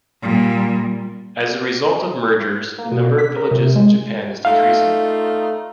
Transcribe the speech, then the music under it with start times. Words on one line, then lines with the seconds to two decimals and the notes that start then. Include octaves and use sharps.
As a result of mergers, the number of villages in Japan is decreasing.
0.22 A#2 G3
2.78 A#3
2.92 B2
3.18 B6
3.36 A#4
3.51 C3
3.76 G#3
4.45 A3 D#4 F4 F5